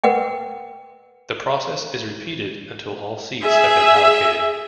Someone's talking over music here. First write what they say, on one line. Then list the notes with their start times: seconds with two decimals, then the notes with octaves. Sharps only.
The process is repeated until all seats have been allocated.
0.04 A#4 B4 F#5 G5
3.41 G#4 E5